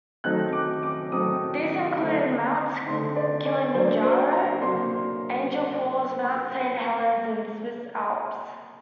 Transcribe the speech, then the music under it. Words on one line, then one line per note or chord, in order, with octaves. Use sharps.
These included Mount Kilimanjaro, Angel Falls, Mount Saint Helens, and the Swiss Alps.
D#3 F#3 A3 C4 D#4 F#6
D6
D6
D#3 F#3 A3 C4 D#4 D#6
D3 A3 C4 D#4
D3 A3 C4 D#4 C6
D5
D5
F#3 A#3 D4 C5
C5
A#5
F#3 A#3 D4 C6